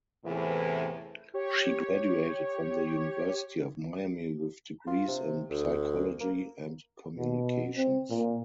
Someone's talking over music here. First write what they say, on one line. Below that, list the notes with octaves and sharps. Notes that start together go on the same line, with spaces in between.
She graduated from the University of Miami with degrees in psychology and communications.
E2 A2 C3 E3
G4 C#5
F4
C3
D2
A#3
B2
C4
A#2